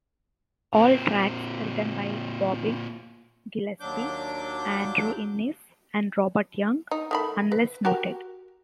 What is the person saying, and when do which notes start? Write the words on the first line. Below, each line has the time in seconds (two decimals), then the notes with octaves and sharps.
All tracks written by Bobby Gillespie, Andrew Innes and Robert Young, unless noted.
0.73 A#2 C4
3.80 D#2 F#3 D4 D6 G6
6.91 D#4
7.11 D#3 A3 B5
7.52 B4
7.85 F#4 G4 A#4